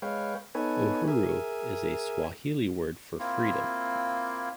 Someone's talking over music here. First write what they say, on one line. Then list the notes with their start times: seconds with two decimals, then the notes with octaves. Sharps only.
'Uhuru' is a Swahili word for "freedom".
0.02 G#3 B4 C#5 F5 G5
0.55 B3 D#4 A4 B4 C#5 G#5
1.08 G#4 A#4 E5 G#5
3.19 A#3 C4 E4 F4